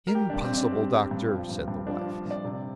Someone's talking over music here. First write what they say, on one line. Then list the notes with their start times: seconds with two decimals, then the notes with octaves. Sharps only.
"Impossible, doctor," said the wife.
0.07 A#4
0.15 G3 G4
0.30 G2 D4
0.44 C4
0.54 G2 D4
0.72 G3 C4
0.92 G3
1.11 G2
1.30 F3
1.49 G2
1.68 G2
1.87 F3 D4
2.02 F3 F4
2.26 G2 D5
2.45 C3